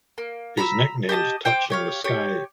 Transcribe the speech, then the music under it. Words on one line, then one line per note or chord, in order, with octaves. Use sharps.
He is nicknamed "Touching the Sky".
A#3
A#5 B5 C#6 E6
G4 D#5 A5 D#6
C5 G5 C6 D6
G4 C#5 F5
G4 C#5